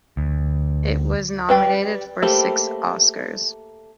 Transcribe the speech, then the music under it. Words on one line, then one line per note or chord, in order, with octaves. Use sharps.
It was nominated for six Oscars.
D2
G3 B4 G5
A3 A#3 G4 C5 B5